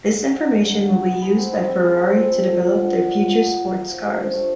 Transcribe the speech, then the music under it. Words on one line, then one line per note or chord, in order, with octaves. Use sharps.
This information will be used by Ferrari to develop their future sports cars.
F#3
A#3 D4
F#3
A#3 D4
B3
D#4 G#4 B4
B3
D#4 G#4 B4
C4
E4 G#4
C4
E4 G#4
C4
F4 A4
C4
F4 A4
B3
D4 F4
B3
D4 F4
F#3
A#3 D#4
F#3
A#3 D#4
F3
A3 D4 G4
F3
A3 D4 G4